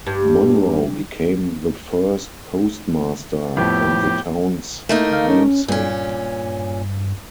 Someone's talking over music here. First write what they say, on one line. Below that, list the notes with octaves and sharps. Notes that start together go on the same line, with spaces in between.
Monroe became the first postmaster and the town's namesake.
G2
F2 A2 B3 G4
A3 A#3 D#4 E4
F5
C#4
G2 A#2 C#4